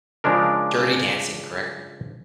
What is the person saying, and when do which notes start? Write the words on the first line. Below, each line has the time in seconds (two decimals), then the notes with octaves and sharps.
Dirty Dancing, correct?
0.24 C#3 F3 G#3 D4 A#4